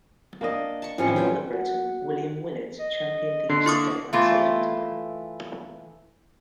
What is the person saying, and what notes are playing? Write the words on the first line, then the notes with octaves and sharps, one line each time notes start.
Another Briton, William Willett championed the use of daylight saving time.
A#3 D4 D#5
A5 C#6
A2 F3 G3 C4 C#4 C#5
B2 F4 G4
F#4
D#5
D3 C6
A#3 E4 C#6 D#6
E3 A3 F4